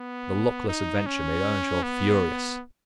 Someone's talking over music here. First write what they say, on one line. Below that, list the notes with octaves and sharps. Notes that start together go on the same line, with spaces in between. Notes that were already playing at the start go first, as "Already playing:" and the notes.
The luckless adventure made Earnshaw furious.
Already playing: B3
D#4
C#4
B3